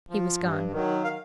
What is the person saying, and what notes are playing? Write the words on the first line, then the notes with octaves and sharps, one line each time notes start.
He was gone.
F3
G2
D#3 F#3
F5